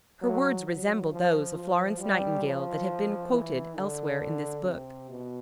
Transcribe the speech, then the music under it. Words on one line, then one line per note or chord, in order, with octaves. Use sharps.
Her words resembled those of Florence Nightingale that have been quoted elsewhere in this book.
F#3
F#3
F3
F3
G3
F3
E3
D3
C3
B2